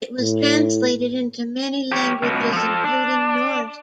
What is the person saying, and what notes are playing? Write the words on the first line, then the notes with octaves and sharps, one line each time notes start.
It was translated into many languages, including Norse.
A2
G4 C#5
C#2 B2
F3 A4
D4